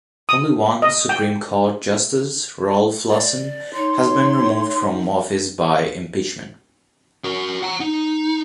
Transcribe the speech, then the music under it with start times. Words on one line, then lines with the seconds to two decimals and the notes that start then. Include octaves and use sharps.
Only one Supreme Court Justice, Rolf Larsen, has been removed from office by impeachment.
0.29 D#6
0.82 D#5
1.09 G5
3.11 D5
3.74 D#4 C#5 C6
7.24 F#4 A#4
7.63 F#5 A#5
7.80 D#4